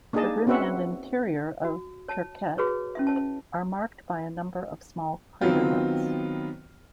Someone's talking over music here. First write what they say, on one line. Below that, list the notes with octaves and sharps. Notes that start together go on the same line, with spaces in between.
The rim and interior of Pirquet are marked by a number of small craterlets.
A#3 D4 D#4 G#4 D#5 A5
C4 C#4 F#4 B4 E5 F#5
F#4
C#5 A5
F#4 G#4 B4 C#5
C#4 E4 E5
C#5 A5
D#3 F#3 B3 C4 F4